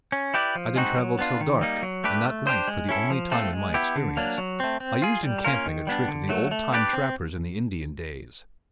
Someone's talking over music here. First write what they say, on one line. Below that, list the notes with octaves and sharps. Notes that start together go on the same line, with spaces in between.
I then traveled till dark, and that night, for the only time in my experience, I used in camping a trick of the old-time trappers in the Indian days.
C#4
E4 G4 B4 D5
F3
G#3 C4 D#4 F#4
F#3
B3 D4 F4
D#3
G3 A#3 D#4
F#3
A3 D4 G4 B4
A3
D4 G4 C5
G#3
C#4 E4 A4
F3
A3 C4 F4 A4
G#3
B3 E4 G4
D3
F#3 A#3 D4
F#3
A3 C4
C4
F4 G#4
G3
A#3 C#4 F4 A#4
D#3
G3 B3 D4
D3
F#3 A3
A3
D4 G4 B4 D5
C4